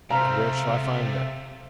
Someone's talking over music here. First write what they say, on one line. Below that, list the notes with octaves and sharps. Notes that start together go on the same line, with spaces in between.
"And where shall I find them?"
C3 G#3 A3 C5 F5 A#5